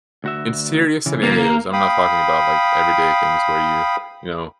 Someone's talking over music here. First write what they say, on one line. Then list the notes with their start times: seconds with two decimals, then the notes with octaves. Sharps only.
in serious scenarios, I'm not talking about, like, everyday things where you, you know,
0.24 D2 F#4 E5
1.06 C#3 E3
1.23 A#3
1.73 F5 G5 B5 D#6